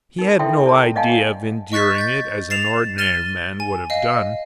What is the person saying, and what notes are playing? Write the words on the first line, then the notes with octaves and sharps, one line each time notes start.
He had no idea of enduring it, as an ordinary man would have done.
D#4 A#4
E4 A4 D5 E5 G5 C6
D5 A5 A#5
D5 D#5 F5 F#5 G#5 A5
D#5 C#6 F#6 A6 B6
G6 A6
A6 C7 E7 F7
F6 A6 D#7 E7 G7
G#5
D#5 F5